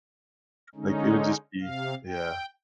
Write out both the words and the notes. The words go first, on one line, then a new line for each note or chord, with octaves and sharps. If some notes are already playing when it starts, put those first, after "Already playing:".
like, it would just be Yeah.
D3 G#3 C#4 D#4
C3 F5
G5